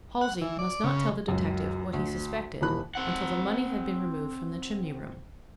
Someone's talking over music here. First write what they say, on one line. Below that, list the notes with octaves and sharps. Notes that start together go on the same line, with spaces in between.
Halsey must not tell the detective what he suspected until the money had been removed from the chimney-room.
F#5
E3
D5
C#3
C#2 F#2
D2
D#1 D#3 E3 B5 F#6
C4 F#5